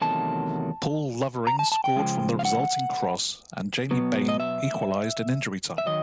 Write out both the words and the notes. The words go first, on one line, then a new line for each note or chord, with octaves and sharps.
Paul Lovering scored from the resulting cross and Jamie Bain equalised in injury time.
E2 C3 D#3 F#3 A3 A5
A#5
A5
A5
G5
C#3 F3 G#3
F5
F#5
B2 F#3 B3
D#5
E5
E5
D#3 F#3 D#5